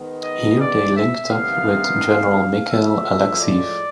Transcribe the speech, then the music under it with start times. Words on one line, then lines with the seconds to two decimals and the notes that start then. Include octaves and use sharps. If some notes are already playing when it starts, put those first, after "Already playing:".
Here they linked up with General Mikhail Alekseev.
Already playing: D#3 G#3 B3
0.23 D#5
0.58 D5
0.94 E5
1.29 C3 D#3 G3 B3 F5
2.70 A2 F3 G#3 E5
3.40 D5